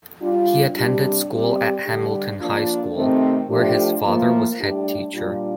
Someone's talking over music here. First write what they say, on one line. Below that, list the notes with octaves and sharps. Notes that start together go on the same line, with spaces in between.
He attended school at Hamilton High School, where his father was head teacher.
G3 D4 F4
C3 G3 D4 G4
G3 C4 G4 D5
G2 D3 G3 D4 G4
F3 A#3 D4 F4
C3 D#3 A3 C4
A2 F3 A3 D4 G4
A2 F3 A#3
A2 G3 D4 G4
A#2 G3 D4 F4